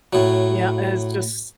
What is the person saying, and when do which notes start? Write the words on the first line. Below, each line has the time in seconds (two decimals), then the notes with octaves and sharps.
Yeah, it's just
0.13 A2 F#3